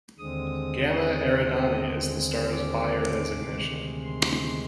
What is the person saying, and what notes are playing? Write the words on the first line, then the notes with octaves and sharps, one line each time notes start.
"Gamma Eridani" is the star's Bayer designation.
D#2 D3 G#3 C4 D#6
D6
D2 C3 D#3 G#3
C6